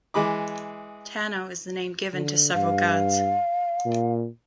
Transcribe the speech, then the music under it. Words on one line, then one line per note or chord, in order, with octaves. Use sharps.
Tano is the name given to several gods.
E3 G#3 G#4 B5 D6
D3
G2 F5
A#2